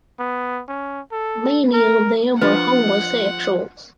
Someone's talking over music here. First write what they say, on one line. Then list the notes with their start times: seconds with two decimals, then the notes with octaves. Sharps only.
Many of them were homosexuals.
0.20 B3
0.68 C#4
1.12 A4
1.73 A#4
2.41 F3 D4 B4 F#5